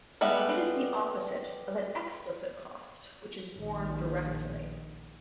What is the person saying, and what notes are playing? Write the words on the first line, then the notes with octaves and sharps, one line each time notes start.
It is the opposite of an explicit cost, which is borne directly.
G3 G#3 B3 A4 E5
A#1 D#3